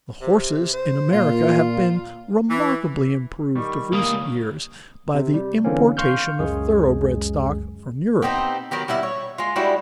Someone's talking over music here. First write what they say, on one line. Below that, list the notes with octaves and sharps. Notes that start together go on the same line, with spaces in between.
The horses in America have been remarkably improved of recent years by the importation of thoroughbred stock from Europe.
C3
C5
A#2 F4
E3
D#3 G3 C#6
C#2 A#3 D#6
C3
G3
D3 E3 A#3 C4 C#4
F5 C6 C#6 F6 G6
C#2 F#2 G#3 G#4
B3 C4 D#4 G4
D#3 F#3 B3 G4
G3 B3 E4 E5
C#5
G#3 F4
G3 G#3 E4 F#4